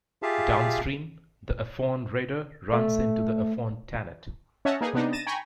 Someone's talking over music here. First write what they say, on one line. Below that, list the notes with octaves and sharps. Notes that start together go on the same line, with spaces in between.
Downstream, the Afon Rhaeadr runs into the Afon Tanat.
F4 G4 G#4 E5 F5 A5
A3
C#4 C#5 D#5 E5 F#5 A5
A#3 D#4 G#4 B4
C3 B3 D4 D#4
A6 A#6 D#7 E7
G5 G#5 A#5 B5 C#6